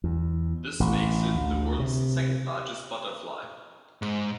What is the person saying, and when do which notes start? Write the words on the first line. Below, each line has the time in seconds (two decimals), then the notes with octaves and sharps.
This makes it the world's second largest butterfly.
0.04 E2
0.80 A1
1.35 D2
1.80 C3
4.02 G#2